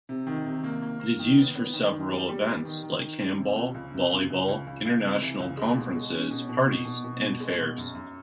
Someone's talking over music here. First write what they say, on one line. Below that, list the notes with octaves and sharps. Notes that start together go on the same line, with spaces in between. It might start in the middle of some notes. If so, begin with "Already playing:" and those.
It is used for several events, like handball, volleyball, international conferences, parties and fairs.
C3
D#3
C3
A#3
A#3
A#3
D#3
B3
B3
D#3
D#3
G3
G3
B3
D#3
D#3
D#3
G3
C3
C#2
C#2
C3
C#2
C#2
C#2
C#2
C#2
C3
E3
C#2
G#3
B2
G#3
C#4
B2
B2
B2
B2
B2
B2
G#3
B2
F#2
F#2